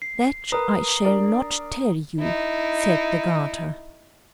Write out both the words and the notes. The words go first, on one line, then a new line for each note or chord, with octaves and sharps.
"That I shall not tell you!" said the garter.
C7
A#4 B4 A#5 D#6
D4 A#4 D5
D#4 E4